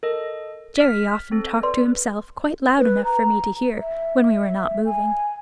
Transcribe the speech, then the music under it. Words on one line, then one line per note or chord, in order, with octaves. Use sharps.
Jerry often talked to himself quite loud enough for me to hear when we were not moving.
A4 A#4 D#5
F6 B6
C4 A4
B4 D5 C6
B4
A#5
E5
G#5